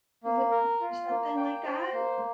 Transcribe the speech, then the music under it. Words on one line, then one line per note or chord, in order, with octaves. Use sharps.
Would you do something like that? Mm.
A#3
A#4
F4
A#3
G5
C5
A#3